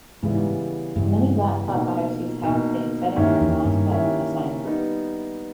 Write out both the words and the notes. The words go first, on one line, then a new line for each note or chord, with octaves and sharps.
Many laptop bioses have a setting for mouse button assignment.
G#2 C#3 E3 G3 B3
G2 C#3 E3 G3 B3
B2 A#3 D#4
B2 A#3 D#4
G2 D#3 A#3 C#4 E4 G4
E2
G2
D#3 A#3 C#4 E4 G4
G3 B3 D#4